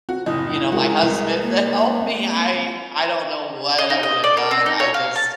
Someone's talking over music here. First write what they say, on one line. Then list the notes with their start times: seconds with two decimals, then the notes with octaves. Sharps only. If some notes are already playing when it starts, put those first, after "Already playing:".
you know, my husband to help me, I I don't know what I woulda done. I just
0.09 C4 F#4
0.26 F#1 A2 F3 E4 D#5
0.72 G#3 F#4 G#4 A#4
1.02 C2 A#4
1.42 A#3
2.01 C4
3.78 D#5
3.90 D#4
4.03 D#5
4.24 D5
4.37 A#4
4.51 C4
4.66 D#4
4.80 C#5
4.94 F5
5.16 A5